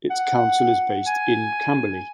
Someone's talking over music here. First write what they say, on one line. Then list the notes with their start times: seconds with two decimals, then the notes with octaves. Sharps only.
Its Council is based in Camberley.
0.10 F#5
1.07 G#5